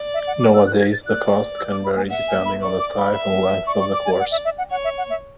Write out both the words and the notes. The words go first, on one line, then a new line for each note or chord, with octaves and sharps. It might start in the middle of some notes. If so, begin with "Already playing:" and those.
Nowadays the cost can vary depending on the type and length of the course.
Already playing: D5
E5
F#5
D6
E6
F#6
G#6
A6
D5 F#6
E6
D6
B5
G#5
E5 F#5
G#5
B5
D5 C#6
D6
B5
E5
D5 C#6
C#6
D6
G#5
F#5
E5
E5
F#5
C#5 F#5
E5
F#5
E5